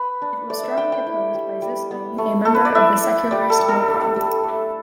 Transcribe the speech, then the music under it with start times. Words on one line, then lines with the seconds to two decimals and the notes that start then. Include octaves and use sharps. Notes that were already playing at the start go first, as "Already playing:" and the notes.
It was strongly opposed by Zisling, a member of the secularist Mapam.
Already playing: B4
0.22 D4
0.50 A3 D5
0.63 E5
0.77 D4 G5
0.92 G5
1.07 E4
1.34 G3
1.62 G3
1.91 B3
2.18 A3
2.45 A3 A4
2.55 B4
2.65 D5
2.75 E4 E5
3.04 E4
3.31 G3 D5
3.50 A4
3.60 G3
3.68 A4
3.88 D4
4.16 G3
4.43 A3